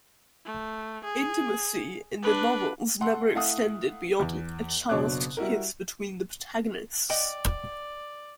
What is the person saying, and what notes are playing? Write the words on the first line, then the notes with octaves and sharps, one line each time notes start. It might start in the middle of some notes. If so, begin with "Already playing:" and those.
Intimacy in the novels never extended beyond a chaste kiss between the protagonists.
A3
G#4
D4 B4
A4 F#5 C6
A3 E4 F5 F#5 D#6
E2
F#1 B2 D4 C#5 D6 F#6
G3 E4 F#4 A#4
D5 D#5 F#5 G5